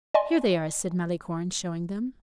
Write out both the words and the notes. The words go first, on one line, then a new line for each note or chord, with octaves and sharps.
"Here they are," said Malicorne, showing them.
D5 D#5 G#5 C6